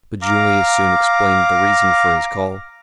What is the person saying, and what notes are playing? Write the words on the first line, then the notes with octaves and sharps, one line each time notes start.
But Julius soon explained the reason for his call.
F5 A#5 D6